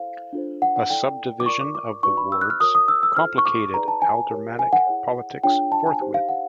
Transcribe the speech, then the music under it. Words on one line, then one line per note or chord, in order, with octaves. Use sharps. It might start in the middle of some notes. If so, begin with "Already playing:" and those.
A subdivision of the wards complicated aldermanic politics forthwith.
Already playing: E4 A4 C5 F5
D4 F4 A4 C5
F#5
F#5
E4 A4 D5 G5
D6
F4 A#4 D5 C#6
D6
D6
D#4 F#4 B4 D5 C#6
B5
E6
F#6
F6
F#4 A#4 C#5 D#6
D#6
E6
E6
F4 A4 C5 F6
C#6
D6
D#4 G#4 B4 D5 A#5
A5
G#5
G4 A#4 C#5
G#5
F#5
E4 G#4 C#5
D4 F4 G#4 C#5 G5
A5
G#5
D#4 G4 C5
F5
F#5